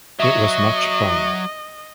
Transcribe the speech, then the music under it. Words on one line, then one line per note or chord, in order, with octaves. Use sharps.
It was much fun.
F#3 D#5 E5 C#6